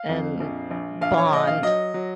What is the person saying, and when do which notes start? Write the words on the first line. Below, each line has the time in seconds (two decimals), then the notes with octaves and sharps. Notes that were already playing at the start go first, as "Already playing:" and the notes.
and bond.
Already playing: F5
0.09 F2
0.40 A#1
0.71 A#1
1.01 A#1 F5
1.17 C#5
1.33 A#1 D#5
1.47 F5
1.63 F#3 D#5
1.94 F#3